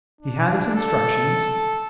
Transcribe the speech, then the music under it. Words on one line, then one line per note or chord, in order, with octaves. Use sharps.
He had his instructions.
D4
A4